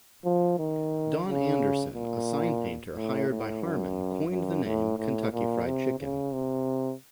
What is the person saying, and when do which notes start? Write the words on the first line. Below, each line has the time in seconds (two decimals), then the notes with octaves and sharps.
Don Anderson, a sign painter hired by Harman, coined the name "Kentucky Fried Chicken".
0.25 F3
0.59 D#3
1.27 C#3
1.94 A#2
2.95 A2
3.29 A2
3.63 F#2
4.31 F#2
4.65 A2
4.98 A2
5.32 A#2
5.66 C3
6.00 C#3
6.33 C3